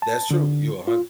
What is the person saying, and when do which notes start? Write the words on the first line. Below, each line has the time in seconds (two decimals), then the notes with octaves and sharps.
That's true. You a hund
0.02 A5
0.31 D3
0.87 F4